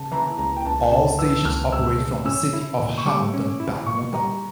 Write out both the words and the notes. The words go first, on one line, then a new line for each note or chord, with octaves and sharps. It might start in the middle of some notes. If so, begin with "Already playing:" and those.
All stations operate from the city of Hamilton, Bermuda.
Already playing: C#3 A5
E3 A#5
C#2 A#5
G5
C#2 A5
C#3 A5
E3 E6
C#2 F6
C#2 E6
C#3
C#4 E6
E4
A#2
C#6
G3 D6
C#4
E4
A#2 C#6
G3 A#5